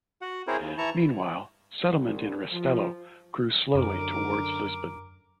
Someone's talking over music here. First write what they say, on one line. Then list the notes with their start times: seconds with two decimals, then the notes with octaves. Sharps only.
Meanwhile, settlement in Restelo grew slowly towards Lisbon.
0.22 F#4 F#5
0.47 C4 E4 G#4 A#4 C5 C#5
0.60 D#2
0.78 E3 E4 A5 A#5 C#6
1.88 C2
2.53 F3
3.75 F#2 D3 A#4 D6